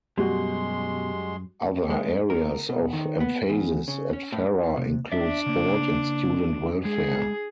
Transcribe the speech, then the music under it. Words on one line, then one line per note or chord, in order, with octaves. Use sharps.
Other areas of emphasis at Farrer include sport and student welfare.
F#2 B2 G3 G#3 F#4 C6
G#3
A#4
B2
D#3
B3
E2
C#3
C#4
A2
C3
D4 D5 E5
C#3 A#3
G#3 G#4